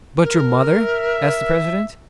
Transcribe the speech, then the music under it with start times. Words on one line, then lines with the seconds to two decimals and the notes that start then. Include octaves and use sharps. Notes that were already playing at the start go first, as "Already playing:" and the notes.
"But your mother?" asked the president.
0.23 A#4
0.77 E5